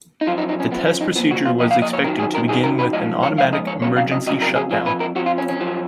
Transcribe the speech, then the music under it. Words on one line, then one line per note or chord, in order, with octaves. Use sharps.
The test procedure was expected to begin with an automatic emergency shutdown.
D#4
F#2 F3 F4
D#4
D#4
C#4
F#2 F3 B3
C#4
D#4
A#2 F3 B3
F#4
F4
A#2 F3 D#5
F5
D#5
C#5
F#2 D#3 F#3 A#4
G#4
A#4
F#2 D#3 F#3 G#4
A#4
B4
G#2 F3 D#5
C#5
G#2 F3 F5
D#5
C#5
F2 C#3 F#3 C#5
F5
D#5
F2 C#3 F#3 D#5
A#4
G#4
F2 F3 G#4
B4
A#4
F2 F3 F#4
F4
C#4
C#4
F#2 F3